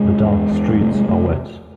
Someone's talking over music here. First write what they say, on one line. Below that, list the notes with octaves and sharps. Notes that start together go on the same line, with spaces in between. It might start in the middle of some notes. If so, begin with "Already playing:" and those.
The dark streets are wet.
Already playing: C3 G#3
E2
E2
C3 A3
G#3
A3